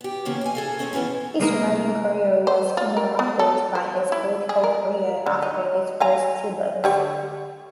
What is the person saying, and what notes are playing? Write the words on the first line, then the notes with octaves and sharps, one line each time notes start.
His writing career was interrupted by his political career after his first two books.
B3 G4
C#3 E3 A#3 B3 C#4
F2 G#5
G#4 A4 F5
C4 C#4 G#4 C5 F5
F2 E3 B3 C#4 E4
C2 G#3 A#3 A#4
C5
F4
A#4
B3
A4
C5
E4
G#4
A#4
D3
D#4
F5 G#5 A#5
D3 G4 C#5